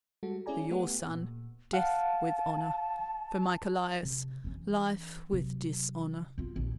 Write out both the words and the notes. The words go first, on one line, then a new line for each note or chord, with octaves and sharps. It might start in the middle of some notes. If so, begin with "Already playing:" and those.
For your son, death with honour. For my Callias, life with dishonour.
G3 G#3 F#4 A4
C#4 E4 G#4 D5 G#5 A#5
A3 B3 G4 F#5
A#2
F5 F#5 A5
C3
E3 C#4
C3 F#3
B1 F4
A#1 D#2